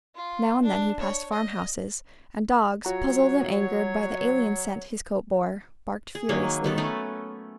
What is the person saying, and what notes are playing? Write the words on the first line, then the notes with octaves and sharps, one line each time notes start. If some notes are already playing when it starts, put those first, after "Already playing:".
Now and then, he passed farmhouses, and dogs, puzzled and angered by the alien scent his coat bore, barked furiously.
F4
D4
C#5
D#5
F#3 F4 F#4 C#5 A#5
G#4
D#3 F#3 A#3 C#5
D#3 B3 A4
A3 C#4 B4